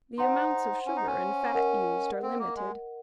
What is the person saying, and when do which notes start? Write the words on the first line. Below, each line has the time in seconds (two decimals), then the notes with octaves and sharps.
The amounts of sugar and fat used are limited.
0.18 D#4 C5 F#5 C6
0.86 C#4
0.96 D#4
1.07 C#4
1.54 A#4 D#5 F#5
2.22 C4
2.39 A#3
2.56 G#3